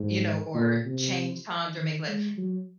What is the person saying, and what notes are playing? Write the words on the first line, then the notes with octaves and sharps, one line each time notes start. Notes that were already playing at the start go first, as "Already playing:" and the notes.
you know, or change times or make like
Already playing: G#2
A#2
C3
D#3
G#3
F#3